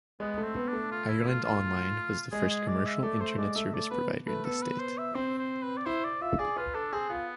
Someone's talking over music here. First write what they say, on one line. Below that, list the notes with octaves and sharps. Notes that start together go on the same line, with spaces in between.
Ireland On-line was the first commercial internet service provider in the state.
G#3 B3
A3
C4
B3
D4
A3
F4
E4
F4
F4
G#3 G#4
G#4
D5
E5
A3 D5
A3 C5
G#3 D5
A3 E5
E5
A3 D5
B3 B4
A3 B4
B3 A4
B4
C5
E5
C4 C5
C5
B4
D5
E4 C5
D5
F4 E5
G#4 D5
F4 B4
D4 A4
C4 G#4
B3 F4